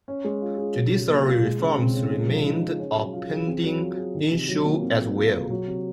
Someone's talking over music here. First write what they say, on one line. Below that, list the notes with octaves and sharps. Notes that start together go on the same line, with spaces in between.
Judiciary reforms remained a pending issue as well.
C#4
G#3
F4
G#4
F#3
C#3
A#3
F4
G#3
C#3
C4
C#3
G#3
F3
D#4
G#4
C#4
F#3
F4
G#4
C4
F#3
F4
G#4
D#3
C3
F#3
A#3
C4
F#3
F4
G#4
F#3
C3